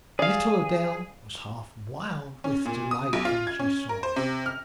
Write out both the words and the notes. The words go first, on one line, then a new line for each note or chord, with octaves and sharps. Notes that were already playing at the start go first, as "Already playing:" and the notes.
Little Adele was half wild with delight when she saw me.
G#4 D5 F5
C#4
A#2
D#6
B1
F4
G#6
C#4
A#4
C5
C3
F6